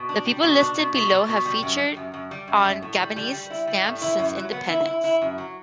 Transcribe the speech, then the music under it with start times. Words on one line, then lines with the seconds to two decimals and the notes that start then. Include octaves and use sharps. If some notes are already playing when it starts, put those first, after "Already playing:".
The people listed below have featured on Gabonese stamps since independence.
Already playing: B2
0.09 D4
0.26 G3
0.43 B2
0.60 D4
0.77 B2
0.95 B2
1.11 B2
1.29 B2
1.46 G3
1.63 F#2
1.79 G3
1.97 F#2
2.14 F#2
2.31 G3
2.48 F#2
2.65 F#2
2.82 A2
3.00 G3
3.16 G3
3.33 G3
3.50 E4
3.67 G3
3.84 A2
4.02 E4
4.19 F#2
4.36 F#3
4.53 B3
4.70 E4
4.86 E4
5.04 E4
5.22 F#2
5.38 F#3